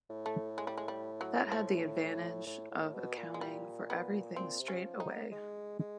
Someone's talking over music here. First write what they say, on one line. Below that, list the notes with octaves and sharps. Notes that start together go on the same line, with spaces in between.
That had the advantage of accounting for everything straight away.
A2
A3
G#3
G3
G#3
G3
F#3
F3
A2
A2
B2
A#2
G#3
A#2 G3
B3
A#2 C4
C3
C#4
F3
D#4
G#3
G#3